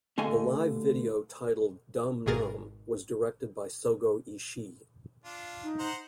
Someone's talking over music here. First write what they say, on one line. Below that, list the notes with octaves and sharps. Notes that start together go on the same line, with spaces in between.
The live video titled "Dumb Numb" was directed by Sogo Ishii.
D3 A3 G4 D#5 F5 G#5
G#1 B2 G#4 A#4 A6
D4 F4
D#4
C5 F#5 A#5